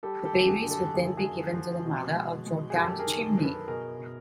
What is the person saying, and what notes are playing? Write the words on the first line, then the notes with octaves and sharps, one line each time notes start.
The babies would then be given to the mother or dropped down the chimney.
G3 G4 A4
G4 A4
F#2
F#4 G#4
D3
G4 A4
F#2 G#4
A4
F#4 G#4
F#2
F3
B2
G#3
G#3
G#4
F#2 G4 A4
G#4 A#4
D#3
F#2
A4 B4
B2 G#4 A#4
B2